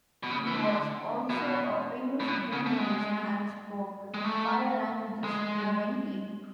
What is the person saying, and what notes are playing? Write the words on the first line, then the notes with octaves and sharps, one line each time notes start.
He was also a famous journalist and spoke five languages fluently.
B2
C#3
E3
D3
B2
A2
B2
C#3
A3
G#3
G#3
A3
G#3